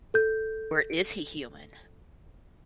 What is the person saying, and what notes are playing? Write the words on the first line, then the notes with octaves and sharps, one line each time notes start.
Or is he human?
A4 G6